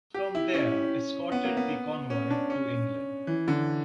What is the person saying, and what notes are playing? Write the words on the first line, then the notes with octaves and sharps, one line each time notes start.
From there escorted the convoy to England.
G4
E4
C#4
B3
A#3
B3
C#4
D4
C#4
E3
D3